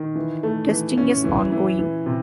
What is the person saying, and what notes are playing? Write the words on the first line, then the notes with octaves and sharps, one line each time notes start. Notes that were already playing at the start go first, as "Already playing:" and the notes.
Testing is ongoing.
Already playing: D#3
E3
A3
E3
C#4
E3
E3
E3
C3